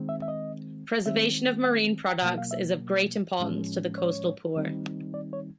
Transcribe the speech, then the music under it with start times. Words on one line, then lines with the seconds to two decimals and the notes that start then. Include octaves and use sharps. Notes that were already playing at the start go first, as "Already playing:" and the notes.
Preservation of marine products is of great importance to the coastal poor.
Already playing: D#3 G#3 C4
0.09 E5
0.22 E5
0.28 D#5
1.06 D#3 G#3 C4 E5
1.64 F#5
2.07 G5
2.22 B2 F#3 A#3 F#5
2.38 F5
2.51 E5
3.39 A2 F3 G#3 C#4
3.98 C#5
4.56 D#3 G3 C4 D#4
5.14 D5
5.33 C#5